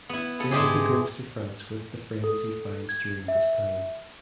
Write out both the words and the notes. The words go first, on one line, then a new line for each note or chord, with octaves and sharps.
Then he goes to France with the friends he finds during this time.
B3 E4
B3 A4
G#2 G#3 E4 G4 G#4
A4
G#6
E5